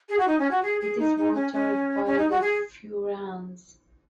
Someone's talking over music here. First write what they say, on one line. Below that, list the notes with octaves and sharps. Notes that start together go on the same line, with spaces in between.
It is watered by the Furans.
G#4
F#4
D#4
C#4
F#4
G#4
G#4
D#4
D#4
C#4
C#4
C#4
D#4
F#4
G#4